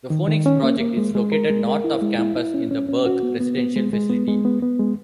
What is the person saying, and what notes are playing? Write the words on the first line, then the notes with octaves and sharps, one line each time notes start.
The Phoenix Project is located north of campus in The Berk residential facility.
D#3
D#3
C#4
A#3
A#3
G#3
G#3
A#4
G#3
A#4
E4
G#3
E4
E4
C#4
C#4
C#4
F#4
B3
B3
B3
G#3
G#3
B3
G#3
B3
B3
G#3